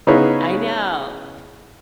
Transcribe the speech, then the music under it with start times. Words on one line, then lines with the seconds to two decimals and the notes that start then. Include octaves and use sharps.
I know
0.07 C#3 B3 D#4 E4 G#4 C#5